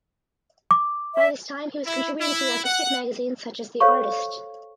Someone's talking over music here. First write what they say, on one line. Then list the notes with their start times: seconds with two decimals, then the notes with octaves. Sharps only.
By this time he was contributing to artistic magazines such as "The Artist".
0.71 D6
1.16 E5
1.85 E4
2.20 E4
2.64 F#5
3.80 A4 C5 C#5 F5 C#6